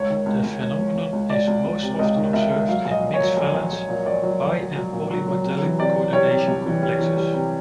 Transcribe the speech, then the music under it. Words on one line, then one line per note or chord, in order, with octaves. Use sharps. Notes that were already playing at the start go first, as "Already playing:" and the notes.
The phenomenon is most often observed in mixed-valence bi- and polymetallic coordination complexes.
Already playing: C#2 C#5
D#3
C#2
C#2
C#2
C#2
C#2
C#2
C#2 D5
C#2
C#2
C3
C#2 D#5
D#3
C#2 E5
C#2
F#3 F5
A#1
D#5
A#2
C#5
F#3
A#1
A#1
A#1
A#2
A#1 D5
F#3
A#1
F#3
F#3
A#2
F#3
F#3
C3
E3
C3 D5
C3
G3 C#5
C3
C2
E3
G3
E3
G3
C3